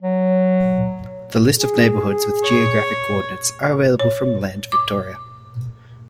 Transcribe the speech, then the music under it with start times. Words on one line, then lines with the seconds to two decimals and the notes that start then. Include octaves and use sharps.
The list of neighbourhoods, with geographic coordinates, are available from Land Victoria.
0.02 F#3
1.58 G#4
2.44 C#5
3.99 C#5
4.72 D6